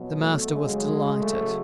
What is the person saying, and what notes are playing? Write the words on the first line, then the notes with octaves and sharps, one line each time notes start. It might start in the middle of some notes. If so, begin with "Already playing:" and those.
The master was delighted.
Already playing: B2 F#3
A3
C#3 F#3 G#3
C#3 F#3 A3